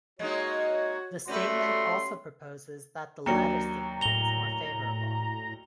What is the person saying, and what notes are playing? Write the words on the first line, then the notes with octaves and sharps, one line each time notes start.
The statement also proposes that the latter statement is more favorable.
G#3 A#3 D#4 F#4 C#5
A3 C#4 F#4 G4 B4 D5 F#5 C6
D#2 F#3 D4 A#5 C#7
A2 A#5 F7 G7